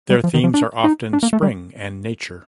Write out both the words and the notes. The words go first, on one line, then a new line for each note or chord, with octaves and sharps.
Their themes are often Spring and Nature.
G3
F3
D#3
F3
D4
D#4
D4
A#3
A3
G3